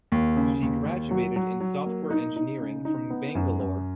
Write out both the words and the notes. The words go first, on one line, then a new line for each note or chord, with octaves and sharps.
She graduated in software engineering from Bangalore.
D#2
C#3
D#2
D#2
F#3
F#3
F#3
A#3
D#4
D#4
C#3
D#4
B3
F#2
F#2